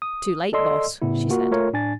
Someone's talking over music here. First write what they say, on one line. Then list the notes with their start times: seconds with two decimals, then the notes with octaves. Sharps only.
"Too late, Boss," she said.
0.02 D#6
0.53 A4 D5 D#5 C6 E6
1.02 A2 C#3 B3 E4
1.29 A#3 F4 F#4 A#4
1.51 A3 F4 A#4 C#5
1.73 A2 D4 G#5 A6